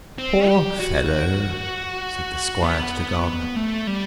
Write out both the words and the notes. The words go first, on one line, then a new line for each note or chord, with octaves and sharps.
"Poor fellow," said the squire to the gardener.
C4
G4
F#4
B3
A3
G3